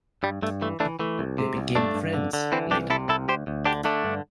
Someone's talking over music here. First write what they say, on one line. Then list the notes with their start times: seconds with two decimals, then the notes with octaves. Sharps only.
They became friends later.
0.23 G2 G3
0.42 G2 A3
0.62 E3 A3
0.80 E3 A3 D4
0.99 E3 A3
1.19 C2
1.38 C3
1.57 C2
1.75 G2 A3 D4
1.95 G2
2.14 D3
2.33 D3
2.52 E3 C4 E4
2.71 C2 D4 G4
2.90 C3 E4 A4
3.09 C2 E4 A4
3.28 D2 G4 C5
3.47 D2
3.65 D3 D4 G4
3.84 D3 A3 D4
4.04 G2